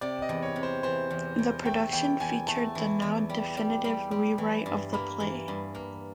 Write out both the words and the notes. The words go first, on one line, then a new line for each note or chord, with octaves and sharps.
The production featured the now definitive rewrite of the play.
C3 D5
D#5
E2
C#5
C3
C5
E3 C5
E2
E2
A3 G5
E2 G5
E2 G#5
A3 A5
E3
E2
G3
G3
G3
G3
E3
G2
A#3 B5
E3
G2
A#3